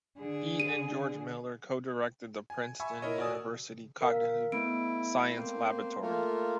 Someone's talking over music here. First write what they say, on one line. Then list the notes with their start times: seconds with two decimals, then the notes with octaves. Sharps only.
He and George Miller co-directed the Princeton University Cognitive Science Laboratory.
0.16 D3 G#4
0.60 D#7
2.50 G#5
2.80 E5 G#5 B5 C#6 E6
3.02 E4 A#4 C#5 D#5
3.18 F#4 A#4 D5 G#5 D#6 E6
4.01 A#4 F5
4.52 A3 B3 E4 D7
5.36 A#3 C4 C5
6.02 A3 A#3 F4